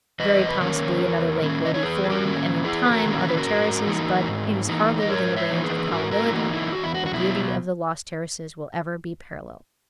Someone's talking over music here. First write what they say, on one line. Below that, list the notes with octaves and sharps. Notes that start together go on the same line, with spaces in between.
Very possibly another lake will be formed, and in time other terraces; but it is hardly within the range of probability that the beauty of the lost terraces will ever be paralleled.
E2 B4 D#5
B4
D#3 A#3 C#4 A#4 C#5
E2
D#3 A#3 C#4
D#5
C#5
E2 G#4 B4
G#4
F#4 A#4
D#3 A#3 C#4
E2 E4 G#4
B4
F#4 A#4
D#3 A#3 C#4
A#4
B4
F#4 A#4
G#2
E3 A#3 D#4
G#2
E3 A#3 D#4
D#5
G#2 A#4 C#5
C#5 E5
E3 A#3 D#4
G#4 B4
G#2 F#4 A#4
F#4 A#4
E4
E3 A#3 D#4 F#4
E4
E2 F#4
E4
F#4
F#4
B2 F#3 E4